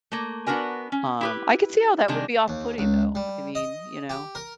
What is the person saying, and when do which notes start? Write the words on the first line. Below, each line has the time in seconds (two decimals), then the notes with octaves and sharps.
um, I could see how that would be off-putting, though, I mean, you know,
0.12 A3 A#3
0.47 B3 D4 F#4 A#4 G#5
0.92 C#4
1.21 E4 G4 B4
2.08 C3 D#3 G3 G#3 D4
2.48 D#2
2.78 C#2
3.15 G3
3.55 D#5
4.10 G4
4.35 A#4